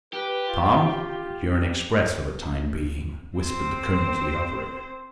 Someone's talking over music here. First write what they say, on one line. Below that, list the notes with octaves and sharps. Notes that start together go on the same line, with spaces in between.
"Tom, you're an express for the time being!" whispered the colonel to the operator.
G4 B4
F4
C4 C5